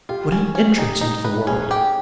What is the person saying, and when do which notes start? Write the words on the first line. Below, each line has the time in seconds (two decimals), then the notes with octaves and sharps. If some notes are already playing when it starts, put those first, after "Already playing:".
What an entrance into the world!
0.09 F4 G4
0.32 C#4
0.55 C#4
0.78 D#4 G4
1.01 D#4
1.24 B4
1.47 C#4 G#4
1.71 G4